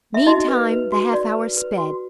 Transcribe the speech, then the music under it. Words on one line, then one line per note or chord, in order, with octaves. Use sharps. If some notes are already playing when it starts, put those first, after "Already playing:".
Meantime, the half-hour sped.
E5
D#4 F#4 D#5
B4
B4
F#4
F#4 D5
B4
B4
F#4